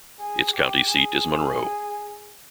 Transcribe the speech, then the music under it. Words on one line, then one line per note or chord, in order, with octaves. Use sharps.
Its county seat is Monroe.
G#4
G4
G#4